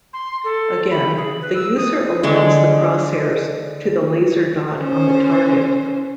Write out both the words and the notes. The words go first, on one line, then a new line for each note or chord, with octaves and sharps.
Again, the user aligns the crosshairs to the laser dot on the target.
C6
A4
B5
G#4
B4
E6
D#6
D3 G#3
C#4 C5